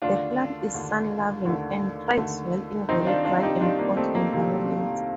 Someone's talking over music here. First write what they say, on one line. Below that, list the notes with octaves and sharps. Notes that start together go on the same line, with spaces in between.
The plant is sun-loving, and thrives well in very dry and hot environments.
D#2 D3 A3 D4 F4
D#2 D3 A3
D#2 D3 A3
D#2 D3 A3
C2 C3 D#3 G3 C4 D#4
D4 F4
D4 F4
D#4 G4
C2 C3 D#3 G3 D4 F4
A#3 D4
A3 C4
A#3
C2 C3 D#3 G3 A#3